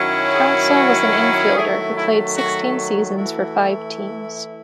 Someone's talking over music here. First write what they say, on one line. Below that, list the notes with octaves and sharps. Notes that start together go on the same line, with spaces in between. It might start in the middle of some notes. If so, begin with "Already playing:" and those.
Counsell was an infielder who played sixteen seasons for five teams.
Already playing: F#2 D#3 F#3 C#4 E4
G#4
F#4
D#3 F#3 A3 E4 G#4
E4
F#4
E3 A3 E4 F#4